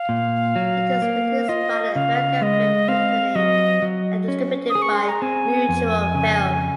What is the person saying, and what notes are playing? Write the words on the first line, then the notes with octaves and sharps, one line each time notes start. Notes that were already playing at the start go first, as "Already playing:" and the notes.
It was produced by the American Film Company and distributed by Mutual Film.
Already playing: F5
A#2
F#3
A#3
F4 D#5
C#3 F5
G#3 D#5
C4 F5
F#3 D#5
F#3
C#4
D#6
G#4
C#6
C6
A#5
C4 G#5
F2
C#3